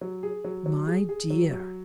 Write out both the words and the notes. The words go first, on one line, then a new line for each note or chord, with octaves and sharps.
"My dear!"
F#3
G#4
F#3
F#3
G#4
G#4
F#3
F#3